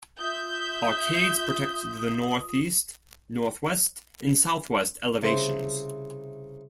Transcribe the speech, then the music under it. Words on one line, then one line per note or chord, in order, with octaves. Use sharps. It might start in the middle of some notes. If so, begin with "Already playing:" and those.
Arcades protect the northeast, northwest and southwest elevations.
F4 E5 D#6 G6
C2 C#3 C4 C5 E5